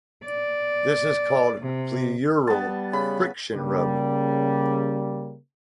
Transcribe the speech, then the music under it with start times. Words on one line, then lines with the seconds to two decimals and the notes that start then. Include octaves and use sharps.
This is called pleural friction rub.
0.24 D5
1.61 C3
2.47 G3 B3 A5
2.93 C#3 B5
3.54 C#3 G3 A#3